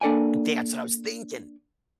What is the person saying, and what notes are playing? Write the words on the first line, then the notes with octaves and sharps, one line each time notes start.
That's what I was thinking.
A#3 D4 A4 D5 G5 G#5